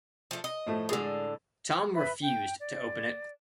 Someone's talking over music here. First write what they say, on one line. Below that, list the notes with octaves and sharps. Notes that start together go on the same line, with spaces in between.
Tom refused to open it.
F3 A3
D#5
A2 F3 A3
A2 D3 G#3 G#4
B4 E5 B5
G5
D5